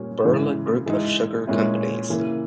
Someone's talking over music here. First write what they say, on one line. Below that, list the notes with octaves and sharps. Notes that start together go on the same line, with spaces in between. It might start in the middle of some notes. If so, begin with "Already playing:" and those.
Birla Group of Sugar Companies.
Already playing: A#2 G3 C#4
C#3 E3 G#3
E3 G#3 D#4
A#2 G#3 C#4 E4
C#3 E3 A#3